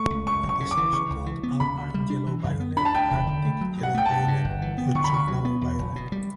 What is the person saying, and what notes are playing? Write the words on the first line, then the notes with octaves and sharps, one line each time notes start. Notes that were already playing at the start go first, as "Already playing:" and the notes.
It is also called alpine yellow-violet, arctic yellow violet, or twoflower violet.
Already playing: A3 C#6
C#2
F#2 C#6
F#1
C#6
C#3
D6
E3
C#3 C#6
C#2
E3
B3
C#3 B5
D2
G3
D4
E3
F#2
B3
D4 B5
A5
D2 G5
E1
D3
A3
F#3
G2
F#5
A3 G5
A5
G2
G2
G1
E3
B3
D3 C#6
B5
D2 C#6
F#3
B3
E2
F#1
B2
G3